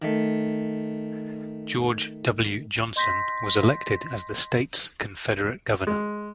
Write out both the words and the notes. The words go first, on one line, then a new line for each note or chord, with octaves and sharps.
George W. Johnson was elected as the state's Confederate governor.
D#3 A3
D#5 C6 G6 A#6 B6
G#3